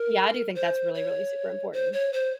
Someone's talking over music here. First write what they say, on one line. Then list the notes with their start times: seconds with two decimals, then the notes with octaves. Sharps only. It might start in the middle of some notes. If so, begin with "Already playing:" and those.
yeah, I do think that's really, really super important.
Already playing: A#4
0.55 C5
0.94 C#5
1.73 C5
1.93 C#5
2.13 C5